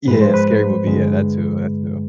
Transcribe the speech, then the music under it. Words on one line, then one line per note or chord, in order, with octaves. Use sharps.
Yeah, scary movie, yeah, that too that too.
G#2 F3 G#3 B4
C5
B4
G2 D3 G#3